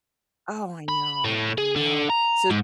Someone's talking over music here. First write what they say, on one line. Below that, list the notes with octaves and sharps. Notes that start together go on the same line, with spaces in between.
Oh, I know, I know, so
B5
A2
G#4
D3
A#5
G#2